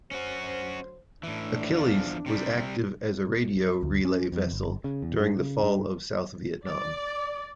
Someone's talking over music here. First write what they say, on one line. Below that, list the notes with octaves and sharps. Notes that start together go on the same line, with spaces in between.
"Achilles" was active as a radio relay vessel during the fall of South Vietnam.
D2 F#3 C#4 F#4 C5
A2 E3 D4
E2 F3
C3 G3
D2
C#4
F2
G1
C#3
E2
G2
C#3
G2
D5